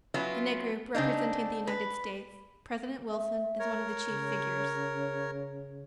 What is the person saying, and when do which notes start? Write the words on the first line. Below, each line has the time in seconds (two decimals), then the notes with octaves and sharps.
In a group representing the United States, President Wilson is one of the chief figures.
0.14 F#3 B3 C#4 E4 F4
0.95 C#3 C4 D4 D#4
1.67 B4
3.09 E5
3.59 A#4 C#5
4.08 C#3